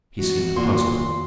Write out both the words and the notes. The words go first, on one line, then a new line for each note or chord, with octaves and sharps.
He seemed puzzled.
E3 G#3 C4 F#4
F2 A#2 D#3 C6